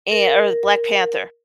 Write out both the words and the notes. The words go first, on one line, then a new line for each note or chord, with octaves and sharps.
and or Black Panther.
A#4